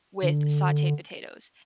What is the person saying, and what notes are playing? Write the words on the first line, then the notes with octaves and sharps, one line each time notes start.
with sauteed potatoes,
D3